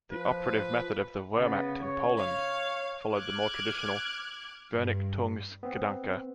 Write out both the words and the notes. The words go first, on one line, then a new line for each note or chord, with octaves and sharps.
The operative method of the Wehrmacht in Poland followed the more traditional "Vernichtungsgedanke".
F3 B4
C#3 B3
C#5
F5
D6 F6 F#6 G#6
G2
B3 C4